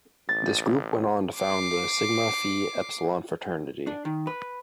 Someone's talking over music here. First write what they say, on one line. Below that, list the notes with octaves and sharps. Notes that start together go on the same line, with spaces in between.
This group went on to found the Sigma Phi Epsilon fraternity.
A1 A6
D6 C7
D4
D#3
B4